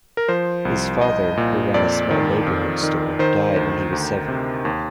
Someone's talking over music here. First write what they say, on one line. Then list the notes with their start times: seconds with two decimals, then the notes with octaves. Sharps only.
His father, who ran a small neighborhood store, died when he was seven.
0.17 A#4
0.29 F3 C5
0.65 C2
1.01 C2 D#5
1.37 A#2
1.74 F2 D5
2.10 D#3
2.47 F2
2.83 D#3
3.19 D#3 C5
3.56 D2
3.92 D2
4.28 C3
4.65 D#2